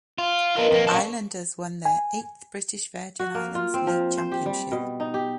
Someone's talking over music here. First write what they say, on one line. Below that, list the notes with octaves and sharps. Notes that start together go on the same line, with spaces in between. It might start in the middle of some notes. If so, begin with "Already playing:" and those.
Islanders won their eighth British Virgin Islands league championship.
F4
D4 F4 A#4 B4 D#5
F2 A#3
C#4 A4 F5 C#6
G#5
F#4
A#3
F4
C4
F3
C5
G4
G3
B2
D#4
G4